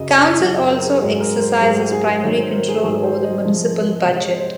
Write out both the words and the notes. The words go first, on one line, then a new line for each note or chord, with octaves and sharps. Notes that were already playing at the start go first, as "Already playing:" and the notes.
The council also exercises primary control over the municipal budget.
Already playing: F#2 C#3 F#3 D#5
C#5
C#5
F#2 C#3 F#3 C#5
C#5
A#4
G#4
G#2 F#3 G#4
A#4
C5
G#2 F#3 G#4
F#4
G#4
G#4
G#2 D#3 F#3 C#5
C5
A#4
G#4
G#2 D#3 F#3 G#4
C5
D#5
C3 F3 G#3
D#5
C3 F3 G#3 C#5
C#5
C5